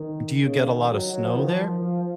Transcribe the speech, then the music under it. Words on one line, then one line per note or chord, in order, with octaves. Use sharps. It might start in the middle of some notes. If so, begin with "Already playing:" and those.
do you get a lotta snow there?
Already playing: D#3
C#3
D#3
F#3
F#3
F3
D#3
F3
F3